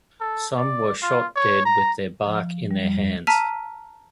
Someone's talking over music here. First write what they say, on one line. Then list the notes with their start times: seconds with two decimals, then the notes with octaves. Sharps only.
Some were shot dead with their bark in their hands.
0.21 A4
0.57 D5
1.02 F4
1.36 C#5
1.65 A#5
2.26 F3
2.71 G3
2.83 F2
3.27 A5 A#5 E6 F6 B6 D#7